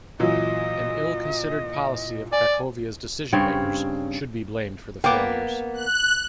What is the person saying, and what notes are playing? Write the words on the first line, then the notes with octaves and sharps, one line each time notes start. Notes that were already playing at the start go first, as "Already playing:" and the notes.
An ill-considered policy of Cracovia's decision-makers should be blamed for the failures.
A#2 E3 F#3 D#5
D5 G#5
G2 C#3 C4 C#5
A#3 B3 G5 D6
F#6